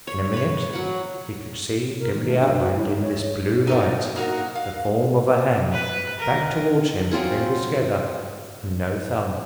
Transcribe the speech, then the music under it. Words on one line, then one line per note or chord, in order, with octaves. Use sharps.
In a minute, he could see, dimly outlined in this blue light, the form of a hand, back toward him, fingers together, and no thumb.
C#5
B4 C#5
F#3 F#5
A#4
D#3
A3
D4
F#4
E4
D#4
C#5
D#4 A4 A#4
A#3 D#4 F#4 A#4
F5
B4
A#4
F#3 C4 F4 G#4